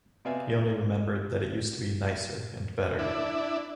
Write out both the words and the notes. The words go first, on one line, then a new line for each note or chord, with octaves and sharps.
He only remembered that it used to be nicer and better.
C3 B3 D5 E5 F5 G#5
D4 E4